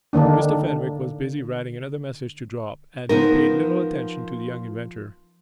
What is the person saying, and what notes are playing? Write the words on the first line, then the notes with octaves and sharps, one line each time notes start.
Mr. Fenwick was busy writing another message to drop, and he paid little attention to the young inventor.
D3 D#3 A#3 D4
F3 B3 D#4 A#4